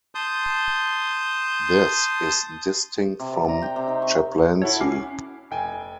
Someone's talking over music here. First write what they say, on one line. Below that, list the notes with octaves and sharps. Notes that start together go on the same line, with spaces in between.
This is distinct from chaplaincy.
A5 C6 D#6 G6
C3
D5
A#5
G5
C3
D#4
C#6
E4 F#4 A4 C#5
C#4 D6 F6 C7
F1 G5 G#5